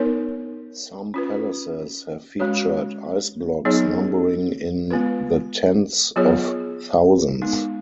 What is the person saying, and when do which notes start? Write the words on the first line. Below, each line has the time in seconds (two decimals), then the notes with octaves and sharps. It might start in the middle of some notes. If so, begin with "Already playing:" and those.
Some palaces have featured ice blocks numbering in the tens of thousands.
Already playing: B3 D#4 A#4 C#5
1.14 C#4 F4 B4
2.40 G#3 C#4 F#4 C#5
3.65 F#3 B3 D#4 G#4 C#5
4.91 G#3 B3 F4 B4
6.16 F#3 B3 F4 G#4 C#5
7.42 G#3 B3 D#4